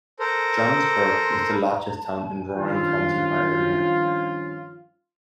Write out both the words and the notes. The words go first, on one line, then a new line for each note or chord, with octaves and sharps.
Johnsburg is the largest town in Warren County by area.
A4 A#4 C5
G2 D#3 F3 C#4 F4